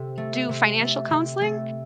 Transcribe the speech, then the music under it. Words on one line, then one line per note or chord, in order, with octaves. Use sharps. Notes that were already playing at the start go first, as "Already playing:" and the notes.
do financial counseling,
Already playing: C3 A4
A3
C3
A3
C3
A3